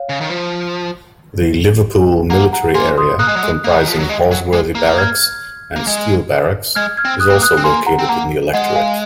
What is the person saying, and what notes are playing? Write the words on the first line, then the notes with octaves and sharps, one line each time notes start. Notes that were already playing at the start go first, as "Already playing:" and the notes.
The Liverpool Military Area-comprising Holsworthy Barracks and Steele Barracks-is also located in the electorate.
Already playing: C#5 F5
C#3
D#3
F3
A#3 F#5 A#5
F#5 A#5
A#3 G#5 C6
C6 D#6
A#3 D#6 F#6
G#3
F#3
G#3
A#3
D#3
F3
F#3
G#3
F#3
G#3
A#3
F6 G#6
A#3
G#3
G#3 F6 G#6
F6 G#6
C4
D#6 F#6
C4
A#3
D#6 F#6
C4
A#3 G#5 C6
F#5 A#5
C4
A#3 F#5 A#5
G#3 D#5 F#5
F5 G#5